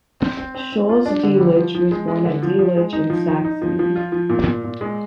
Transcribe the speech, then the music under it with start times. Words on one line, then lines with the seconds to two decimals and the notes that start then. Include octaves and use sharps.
Schulze-Delitzsch was born at Delitzsch, in Saxony.
0.21 C4
0.37 C4
0.55 C4
0.72 C4
0.89 F4
1.06 D4
1.23 D3
1.39 G3
1.56 F3
1.75 F3
1.91 G#3
2.08 G#3
2.25 D3
2.42 F3
2.59 F3
2.77 G#3
2.93 D#4
3.10 F3
3.28 D#4
3.45 D#4
3.62 F3
3.79 F3
3.96 F4
4.12 F3
4.29 A#2
4.46 A#2
4.64 A#2
4.81 G#3